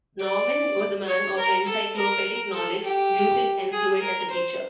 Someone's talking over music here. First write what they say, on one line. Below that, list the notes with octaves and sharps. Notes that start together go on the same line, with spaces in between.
Naumann was a man of encyclopedic knowledge, lucid and fluent as a teacher.
D5
C#5
A#4
A4
A#4
A4
G4
G#4
A#4
C5